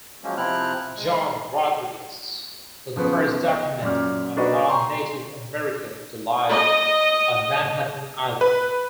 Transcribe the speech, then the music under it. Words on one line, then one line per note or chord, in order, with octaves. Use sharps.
Jan Rodrigues was the first documented non-Native American to live on Manhattan Island.
F3 F#3 G#3 A#3 C#4
C3 F3 C4 E4 F6 F#6
G#3
C#3 F3 B3
D#5
F#2 A#2 D6 F6
A#3 D4 F#4 B4 D#5
G5 A#5 C6 C#6
D#5
B4